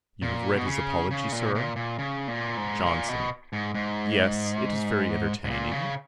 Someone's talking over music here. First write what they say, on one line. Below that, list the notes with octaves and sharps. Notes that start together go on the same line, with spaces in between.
'You have read his apology, Sir?' JOHNSON. 'Yes, it is very entertaining.
A#2
B2
C#3
C#3
A#2
A#2
A#2
C#3
A#2
G#2
A#2
B2
G#2
G#2
G#2
A#2
C#3